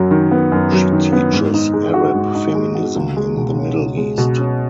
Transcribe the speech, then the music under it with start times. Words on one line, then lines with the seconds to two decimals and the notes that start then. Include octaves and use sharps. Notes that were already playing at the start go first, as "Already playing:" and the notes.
She teaches Arab feminism in the Middle East.
Already playing: F#2 F#3
0.11 D#3
0.31 B3
0.52 F#2
0.72 F#3
0.92 D#3
1.12 B3
1.33 G#2
1.54 D#4
1.73 G#3
1.94 F#4
2.14 G#2
2.35 D#4
2.55 G#3
2.75 F#4
2.96 C#2
3.16 G#3
3.37 B2
3.56 C#4
3.77 C#2
3.97 G#3
4.18 B2
4.38 C#4